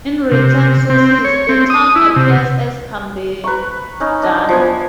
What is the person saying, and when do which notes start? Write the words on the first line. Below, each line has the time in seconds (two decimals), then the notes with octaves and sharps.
In written sources, the town appears as "Cambidano".
0.32 C3
0.90 C4
1.24 C#5
1.49 C4
1.70 D#6
1.96 E4
2.16 C3
3.44 B4 A#5 C#6
4.00 C#4 D#4
4.23 D4 D#5
4.49 F3 B3 G#5